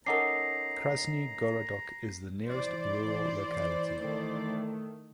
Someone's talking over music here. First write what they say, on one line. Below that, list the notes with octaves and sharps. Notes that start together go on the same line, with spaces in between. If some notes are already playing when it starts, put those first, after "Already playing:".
Krasny Gorodok is the nearest rural locality.
C#4 D#4 A4 A#4 F#5 A#5 D6 C7
E3 C5 D5
D#3 A3